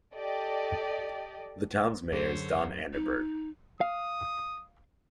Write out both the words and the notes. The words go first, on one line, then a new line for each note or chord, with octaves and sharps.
The town's mayor is Don Anderberg.
G4 A4 D5 D#5
F#2 D3 G#4 C5 C#5
D#4
F5 D#6